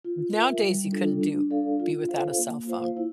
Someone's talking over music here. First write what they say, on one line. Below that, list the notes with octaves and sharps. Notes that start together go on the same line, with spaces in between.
nowadays you couldn't do be without a cell phone.
F4
A#4 E5
G3
D4 F4 A4
D4
A4 D5 F5
F4
A4 C5 F5
A#3
F4 C5 F5
E4